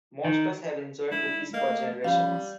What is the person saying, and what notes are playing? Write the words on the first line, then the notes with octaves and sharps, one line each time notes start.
Monsters have enjoyed cookies for generations.
D#3
G#3 D4 E4
A3 A#3 D#5
F3 G3 C#4 F5 B5